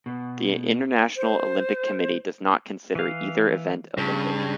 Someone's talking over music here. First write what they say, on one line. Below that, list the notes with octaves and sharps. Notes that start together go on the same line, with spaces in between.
The International Olympic Committee does not consider either event Olympic.
B2
C5
E3 F5
G2 C#3